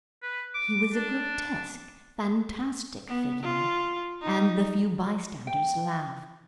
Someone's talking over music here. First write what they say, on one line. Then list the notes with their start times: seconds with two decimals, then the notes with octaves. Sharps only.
He was a grotesque, fantastic figure, and the few bystanders laughed.
0.23 B4
0.54 D6
0.93 D4
3.09 B3
3.43 F4
4.21 D#4
5.47 G5